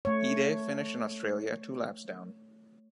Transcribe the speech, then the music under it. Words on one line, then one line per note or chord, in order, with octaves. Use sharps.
Ide finished in Australia, two laps down.
A3 C#5